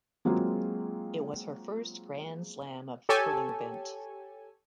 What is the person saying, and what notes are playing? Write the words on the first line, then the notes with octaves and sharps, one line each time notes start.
It was her first Grand Slam of Curling event.
F#3 G#3 A#3 C4 F4 G#4
G4 A4 C#5 G#5